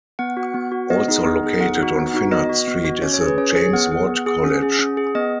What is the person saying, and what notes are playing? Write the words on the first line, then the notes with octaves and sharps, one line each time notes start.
Also located on Finnart Street is the James Watt College.
B3 F#5
F#4
B3
F#4
B3 D#5
D#4 G#4
B3
D#4 G#4
B3 F#5
D#4 F#4
B3
D#4 F#4
B3 D#5
F#4
B3
F#4
C#4 C#5
C#5
G#4
B4
C#4 C#5
C#5
G#4
B3 F#5
G#4
B3
G#4
C#4
G#4
C#4
G#4
B3 D#5